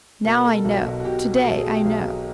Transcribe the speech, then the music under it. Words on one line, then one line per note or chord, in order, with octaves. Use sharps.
Now I know--to-day I know.
B2 A#4
A#4
B2 A4
B1 F#4
B2 F#4
F#4
B2 G4
B2
B2 A4
G#4
B2
G4
B1 G#4
B2